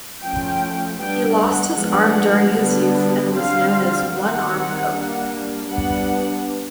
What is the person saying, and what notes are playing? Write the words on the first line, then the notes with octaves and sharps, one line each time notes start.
He lost his arm during his youth and was known as "One-Arm Pope".
F3 A3 C#4 G5
G3 B3 D4 G5
F#5
F3 G#3 B3 D4
D3 G3 B3 D4
D3 G3 C4 F5
D#3 G3 C4 F#5
G3 A#3 D4
G3 B3 D4 F#5